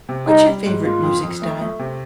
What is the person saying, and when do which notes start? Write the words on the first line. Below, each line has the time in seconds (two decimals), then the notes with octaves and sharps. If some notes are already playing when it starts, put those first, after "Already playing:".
What's your favorite music style?
0.09 C3
0.27 G3 D#4
0.46 G3
0.66 G#2
0.84 A#3 F4
1.03 F2
1.23 F2
1.42 A3
1.61 A3
1.79 C3